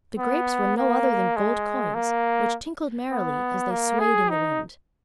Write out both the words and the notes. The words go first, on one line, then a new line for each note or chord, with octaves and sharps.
The grapes were no other than gold coins which tinkled merrily as they swayed in the wind.
B3
A#3
G#3
A#3
B3
A#3
G#4
D#4